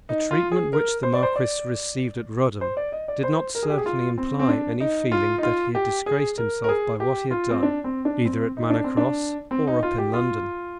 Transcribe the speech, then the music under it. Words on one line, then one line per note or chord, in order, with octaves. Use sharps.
The treatment which the Marquis received at Rudham did not certainly imply any feeling that he had disgraced himself by what he had done either at Manor Cross or up in London.
D#4
F4
G#4
A#4
C5
D5
C5
D5
C5
D5
D#5
D5
C5
A#4
G#4
G4
G#4
F4
C4
C4
D4
D#4
F4
D#4
F4
G4
G#4
A#4
A#4
G#4
G4
F4
C4
D4
C4
D4
C4
D#4
D4
C4
D4
C4
D#4
F4
G4
F4